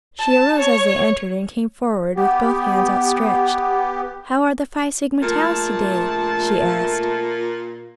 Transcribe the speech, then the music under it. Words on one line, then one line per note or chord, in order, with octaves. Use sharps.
She arose as they entered and came forward with both hands outstretched. "How are the Phi Sigma Taus to-day?" she asked.
A5
C#5
B3 G4
A#1 A#2 A3 A5